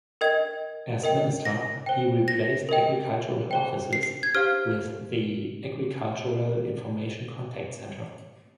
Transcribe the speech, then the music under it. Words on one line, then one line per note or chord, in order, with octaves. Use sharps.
As Minister, he replaced agricultural offices with the Agricultural Information Contact Centre.
A#4 D#5 G5 G#6
A#4 D#5 G5
A#6
C5 G5
A#6
A#4 D#5 G5
G#4 C5 G5
C7
C7
G#6
G4 C5 F5 F6